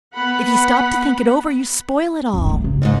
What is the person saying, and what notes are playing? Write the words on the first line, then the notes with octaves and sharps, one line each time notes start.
If you stop to think it over you spoil it all.
B3 F#5 B5
F2 B3
F#3 A3
C#3
D#2 G#2